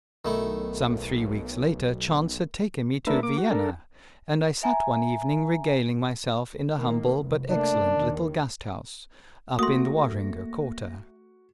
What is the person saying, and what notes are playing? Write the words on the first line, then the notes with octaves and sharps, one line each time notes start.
Some three weeks later chance had taken me to Vienna, and I sat one evening regaling myself in a humble but excellent little Gasthaus up in the Wahringer quarter.
B1 D#3 A3 E4
A3 D4 A#4 B4 E5
A#3 D6
F#4
D4 A4 A#4
E5 G#5 A#5
D#3 A#3
F1 C2
A3 A#3 D4
D#2 D#3
A3 A#3 F#4 C6 D#6 A#6